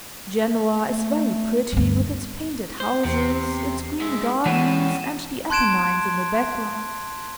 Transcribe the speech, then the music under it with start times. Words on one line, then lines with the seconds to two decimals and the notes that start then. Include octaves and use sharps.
Genoa is very pretty with its painted houses, its green gardens and the Apennines in the background!
0.85 A3
1.72 D2 G2
2.80 C5
3.05 E2 C3 C7
4.01 G#3 E5
4.46 E3 G3 G#3 C#4 F#5 D#7 E7
5.50 A5 C6 F#6 G#6 D7 E7